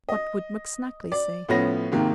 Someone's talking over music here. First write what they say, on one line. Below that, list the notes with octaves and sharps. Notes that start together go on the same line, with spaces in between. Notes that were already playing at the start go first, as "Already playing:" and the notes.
What would McSnagley say?
D#5
D5
A2 F3 B3 C#4 B5 A#6
G#2 C3 D#3 A#3